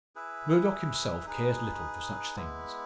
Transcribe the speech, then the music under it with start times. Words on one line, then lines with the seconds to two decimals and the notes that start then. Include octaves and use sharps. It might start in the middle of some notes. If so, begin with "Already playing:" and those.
Murdock himself cares little for such things.
0.16 E4 G#4 B4 E5
1.26 D#4 G#4 B4
2.36 G#3 B3 E4